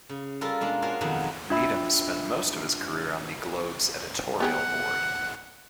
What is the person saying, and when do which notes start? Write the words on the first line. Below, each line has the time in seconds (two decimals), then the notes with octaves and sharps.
Needham spent most of his career on the "Globe"s editorial board.
0.09 C#3
0.41 G3 F4 A4 A#4
0.61 B2 G#3 A#3 D4
0.82 F4 F#4 G#4 A#4 C5 C#5
1.01 F2 B2 D#3 F#3 F#5
1.50 D4 F4 E5 B5 E6
4.40 B3 G4 G#4 F#5